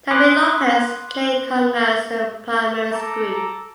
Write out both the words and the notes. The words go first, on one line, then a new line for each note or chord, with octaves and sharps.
Tommy Lopez played congas in Palmieri's group.
B5 C6 D6 D#6 F#6
A4 A#5 D6